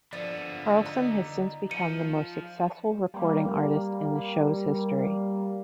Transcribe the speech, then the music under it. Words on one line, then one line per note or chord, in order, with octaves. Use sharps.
Carlsson has since become the most successful recording artist in the show's history.
D3 F3 B3 D5 A6
D#4
F3 C#7 D#7
G3 A#3